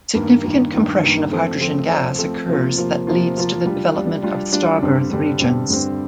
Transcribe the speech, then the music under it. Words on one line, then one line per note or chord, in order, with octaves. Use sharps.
Significant compression of hydrogen gas occurs that leads to the development of starbirth regions.
G2 D#3 A#3
G2 D#3 A#3
G2 D#3 A#3
G2 D#3 A#3
F3 A3 C4
F3 A3 C4
F3 A3 C4
F3 A3 C4
C3 F3 A#3 F4
C3 F3 A#3 F4
C3 F3 A#3 F4
C3 F3 A#3 F4
G3 D4 F4
G3 D4 F4
G3 D4 F4
G3 D4 F4
G2 D3 G3 C4
G2 D3 G3 C4
G2 D3 G3 C4
G2 D3 G3 C4